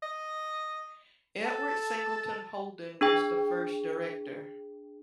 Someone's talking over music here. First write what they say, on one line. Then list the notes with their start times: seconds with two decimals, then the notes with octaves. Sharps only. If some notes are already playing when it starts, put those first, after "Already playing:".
Edward Singleton Holden was the first director.
0.02 D#5
1.45 A4 A5
3.01 D4 G#4 G5